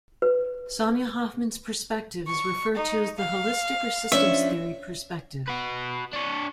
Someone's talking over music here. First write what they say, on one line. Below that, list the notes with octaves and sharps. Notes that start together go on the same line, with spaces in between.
Sonia Hoffman's perspective is referred to as the holistic, or systems theory, perspective.
B4
C#6
D#4
F5
F3 C#4 D4 E5
F#4 B4
D4 C#5